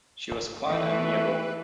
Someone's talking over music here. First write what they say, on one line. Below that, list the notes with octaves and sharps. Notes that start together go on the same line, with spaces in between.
She was quite amiable.
E3 A3 B4